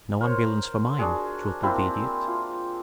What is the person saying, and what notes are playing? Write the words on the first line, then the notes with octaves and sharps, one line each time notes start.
"No ambulance for mine," chortled the Idiot.
A#4 C5 C#5
D4 F#4 G#4
A#3 C4 E4 C5
F4